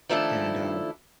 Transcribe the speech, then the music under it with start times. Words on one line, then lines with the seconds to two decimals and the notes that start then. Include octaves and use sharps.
and, uh,
0.09 D#3 F3 A3 D4 E4 A4